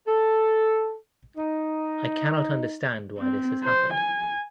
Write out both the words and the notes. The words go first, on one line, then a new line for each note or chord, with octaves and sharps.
I cannot understand why this has happened.
A4
D#4
C4
C5
G#5